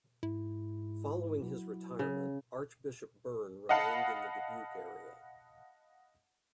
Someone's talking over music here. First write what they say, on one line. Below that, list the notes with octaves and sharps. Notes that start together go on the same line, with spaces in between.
Following his retirement, Archbishop Byrne remained in the Dubuque area.
G#2 E4
F#3
C#3
D#5 F5 F#5 A5 B5